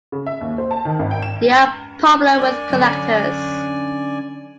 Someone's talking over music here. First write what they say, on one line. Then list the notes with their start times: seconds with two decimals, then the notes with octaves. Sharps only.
They are popular with collectors.
0.12 C#3
0.26 E5
0.41 D#2
0.58 C5
0.71 A5
0.85 D#3
0.99 G#1
1.11 G5
1.22 E7
2.38 A#4 D5 G5 G#5
2.70 D3 F#3 C#4